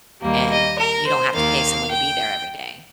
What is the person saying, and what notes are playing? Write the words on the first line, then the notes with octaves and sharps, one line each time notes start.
and you don't have to pay someone to be there every day.
D#2 D#3 G3 A#3
D#5
A#4
C5
D#2 D#3 A#3 F5
G5